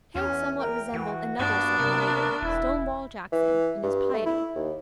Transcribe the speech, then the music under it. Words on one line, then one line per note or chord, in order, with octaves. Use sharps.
Haig somewhat resembled another Southern leader, Stonewall Jackson, in his piety.
E2 C#4
A#4 G5
E3 F#4
G2 A#3 B3 D4 C#6
C3 A#4
E1 E4
E3
G2
A3
E4
D#2